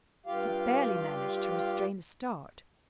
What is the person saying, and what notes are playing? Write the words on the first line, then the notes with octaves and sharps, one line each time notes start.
He barely managed to restrain a start.
G2 F4 G4 F5